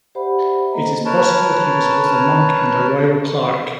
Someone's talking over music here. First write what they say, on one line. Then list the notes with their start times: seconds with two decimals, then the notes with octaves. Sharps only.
It is possible he was both a monk and a royal clerk.
0.15 G4 C5 D5 E5 F#5 B5
0.73 A#3 A4 D#5 A#5
1.05 A#4 B4 C#5 A5